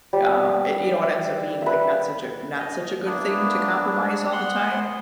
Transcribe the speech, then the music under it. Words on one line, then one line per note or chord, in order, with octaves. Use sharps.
um, it you know, it ends up being, like, not such a not such a good thing to compromise all the time.
G3
B4 E5
D#5
A#3 B3 D4 E4
B3 F#5 C6